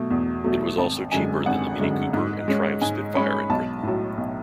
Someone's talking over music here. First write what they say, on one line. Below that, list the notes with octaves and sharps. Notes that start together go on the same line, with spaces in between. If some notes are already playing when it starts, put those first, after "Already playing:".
It was also cheaper than the Mini Cooper and Triumph Spitfire, in Britain.
Already playing: B2 F#3 A3
E2
B2 F#3 A3
G#1 A5
F#2 D3 G#3 G#5
G#1 F#5
F#2 D3 G#3
G#2
G#3 C#4
G#2 G#5
G#3 C#4 B5
B1 A5
A2 F#3
B1